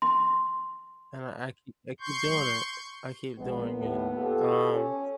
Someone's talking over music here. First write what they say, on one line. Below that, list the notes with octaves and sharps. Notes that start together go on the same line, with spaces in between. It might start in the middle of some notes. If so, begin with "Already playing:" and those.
And I I keep I keep doing it, I keep doing it, um
C6
C6 C#6 G6
A#1 G#3 B3
D#2 A2
F4 G4 A4
C#4